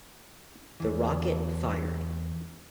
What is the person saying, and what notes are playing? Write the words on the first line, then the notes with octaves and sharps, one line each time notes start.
The rocket fired.
E2 E3